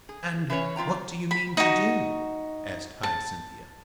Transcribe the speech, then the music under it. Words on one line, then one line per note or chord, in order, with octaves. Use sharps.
'And what do you mean to do?' asked Hyacinthia.
G#4
E3 C#4 B4 C#5
F2 F4 G5 A#5
B5
D#4 F#4
A5